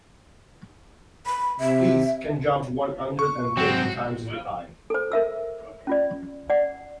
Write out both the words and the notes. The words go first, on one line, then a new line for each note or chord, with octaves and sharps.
Fleas can jump one hundred and thirty times their height.
B5
C3 E5
C#6
G#2 F#3 C4 F#4
A4 C5
A#4 E5 E6
C#4 F4 D5
D5 F#5